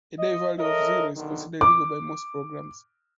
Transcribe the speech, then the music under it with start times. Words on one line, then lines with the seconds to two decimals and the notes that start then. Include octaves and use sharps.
A day value of zero is considered illegal by most programs.
0.18 D#5
0.59 A4 A#4 C#5 D#5 E5
1.16 B1 D3 D#3
1.61 D6